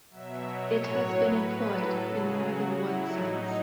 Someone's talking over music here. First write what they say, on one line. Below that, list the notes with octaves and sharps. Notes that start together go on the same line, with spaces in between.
It has been employed in more than one sense.
B2 F#3 E5
C#5
A2 F#3
B4
A2 F#3 B4
A4
C#3 F#3 G#4
F#4
A2 F#3 E4
D#4